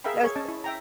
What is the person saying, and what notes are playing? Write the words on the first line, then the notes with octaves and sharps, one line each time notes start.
That the
G#4 A#4 E5 F5 G5 B5
G#4 C#5
C#4 D#5 A5
E4
E5 G5 A#5